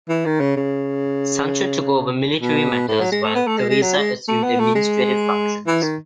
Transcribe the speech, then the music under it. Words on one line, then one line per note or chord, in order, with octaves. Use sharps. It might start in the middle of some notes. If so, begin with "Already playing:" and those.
Sancho took over military matters, while Theresa assumed administrative functions.
E3
D#3
C#3
C#3
B2
A2
F#3
G#3
A3
B3
A3
G#3
G#3
F#3
G#3
A3
B3
A3
G#3
E3
D#3